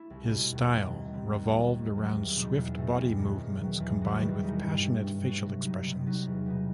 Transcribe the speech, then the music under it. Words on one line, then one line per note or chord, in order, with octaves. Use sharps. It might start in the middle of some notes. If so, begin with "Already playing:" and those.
His style revolved around swift body movements combined with passionate facial expressions.
Already playing: A3 E4
C2
B2 A3 E4
D#2
D#3 G3 C4
D#2
D#3 G3 C4
D#2
D#3 F#3
D#2
D#3 F#3
E2
B2 A3 C4 D#4
E2
B2 A3 C4 D#4
E2
D#3 F#3
E2
D#3 F#3
E2
D#3 G3 D#4 F#4
E2
D#3 G3 D#4 F#4
G2
F#3 A3
G2
F#3 A3
C3
F#3 B3 D#4
C3
F#3 B3 D#4
E2
B2 G3 B3 D#4